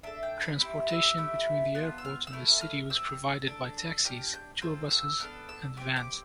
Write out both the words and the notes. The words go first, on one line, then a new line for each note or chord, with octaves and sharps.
Transportation between the airport and city was provided by taxis, tour buses and vans.
D4 A4 E5
G5
B5
C4 E4 G4
E6
A3 E4 G4
B3 D4 F4 A5
E6
F6
E6
A3 E4 A4 F6
F6
C4 G4 E6
D4 A4
D4 G4 F6
G6
C4 F4 A4
E6
B3 D4 A4 F6
E6
C4 G4 D6
D6